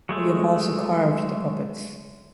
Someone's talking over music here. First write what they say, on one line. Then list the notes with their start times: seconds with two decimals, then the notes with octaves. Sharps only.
William also carved the puppets.
0.09 F#3 G#3 A3